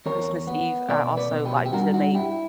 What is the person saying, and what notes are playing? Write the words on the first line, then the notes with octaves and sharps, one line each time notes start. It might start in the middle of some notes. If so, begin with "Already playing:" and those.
Christmas Eve, I also like to make,
E2 A#4 C#5
B3
B2 B4 D5
B4 D5
B2
G4 B4
G4
G2 F#4 A#4
F#4
E4 G4